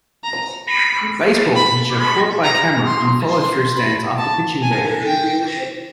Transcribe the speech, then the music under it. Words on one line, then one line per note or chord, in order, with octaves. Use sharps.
Baseball pitcher caught by camera in followthrough stance after pitching ball.
A#5
B5
B5
B5
A#5
C6
C6
B5
A5
G#5
G5